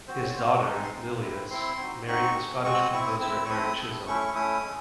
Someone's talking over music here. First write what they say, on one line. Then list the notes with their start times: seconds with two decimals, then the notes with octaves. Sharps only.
His daughter, Lillias, married the Scottish composer Erik Chisholm.
0.08 C4 F#4 C5
0.22 C#5
0.36 C4 F#4 C5
0.46 A4
0.55 C#5
0.65 G#3 C4 D#4 D#5
0.74 E5
0.84 C6
0.93 G#3 C4 D#4
1.22 C4 E4
1.50 C4 E4 C6
1.78 C4 D#4 F#4
2.07 C4 D#4 F#4 C#6
2.36 G#3 C4 F#4
2.64 G#3 C4 F#4 C#6
2.74 E6
2.78 D#6
2.92 C4 E4 C#6
3.07 D#6
3.21 C4 E4 E6
3.45 C#6
3.50 A3 C4 E4 D#6
3.78 A3 C4 E4
4.07 A3 C#4 E4 C#6
4.21 C#6
4.35 A3 C#4 E4 D#6
4.63 G#3 C#4